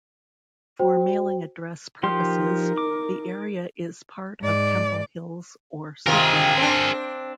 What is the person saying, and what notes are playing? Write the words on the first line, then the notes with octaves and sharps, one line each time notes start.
For mailing address purposes, the area is part of Temple Hills or Suitland.
F#4 C5 G5
F3 D#4 G4 A#4 C6
D6
G#2 D5
C3 D#3 F4 G#4 A#4
C4 D4